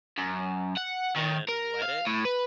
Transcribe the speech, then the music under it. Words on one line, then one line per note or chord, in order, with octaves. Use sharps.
and wet it,
F#2
F#5
D#3
A#4
F5
A2
B4